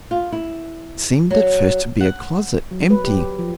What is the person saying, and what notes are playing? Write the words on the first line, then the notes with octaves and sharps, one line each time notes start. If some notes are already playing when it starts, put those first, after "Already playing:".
It seemed at first to be a closet, empty.
F4
E4
F#3
F#5
F#3
B4
G4
F3